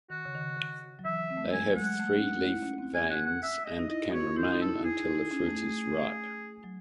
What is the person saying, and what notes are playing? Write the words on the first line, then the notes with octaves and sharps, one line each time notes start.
They have three leaf veins and can remain until the fruit is ripe.
D#3 F#4
C#3
D#3
C#3
D#3
F#3
E3 E5
C4
A3
G#3
F#3 G#5
F#3
G#3 F#5
A3
C#4
D#4
E4
C#4
C4
G#5
F#5
F#5
E5
D#5
D#4
E4 D#5
F#4
C#5
E4
E4 C5
D#4
A4
E4
E4 G#4
D#4
E4
C#4
A3
A3
F#3